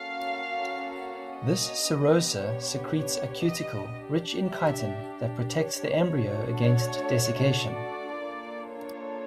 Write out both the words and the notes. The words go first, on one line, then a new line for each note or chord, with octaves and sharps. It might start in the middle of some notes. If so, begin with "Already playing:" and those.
This serosa secretes a cuticle rich in chitin that protects the embryo against desiccation.
Already playing: A#3 C#4 F#4 A4 F5
D#5
B3 D4 G4
C#5
C#5
D#5
D4 G4
E5
C#5
A3 D4 F#4 A4
C#5
D5
A#3 D4 F4 A4
C#5